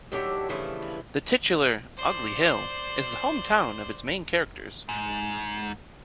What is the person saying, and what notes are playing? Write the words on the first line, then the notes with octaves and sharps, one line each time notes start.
The titular "Ugly Hill" is the home town of its main characters.
D#2 A2 F#3 D4 G4 E5
G2 C#3 E3 F3 A3
C5 D5
G#2